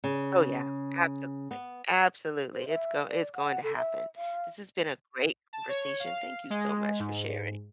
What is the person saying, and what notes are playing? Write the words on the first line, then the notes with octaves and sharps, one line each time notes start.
Oh, yeah. Absolutely. Absolutely. It's go it's going to happen. This has been a great conversation. Thank you so much for sharing.
C#3
B3
C5
E5
D5
F#5
A4
E5
F5
A5
C#5
F5
G#3
G#2